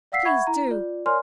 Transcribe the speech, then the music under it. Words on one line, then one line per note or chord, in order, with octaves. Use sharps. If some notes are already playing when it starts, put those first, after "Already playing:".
Please do.
D5 F5 F#5 E6 B6 C7
E5 F#5 B5 C#6 G#6
E4 A#5
F4 D5
A#4 C#5 D5 G#5 C6 F6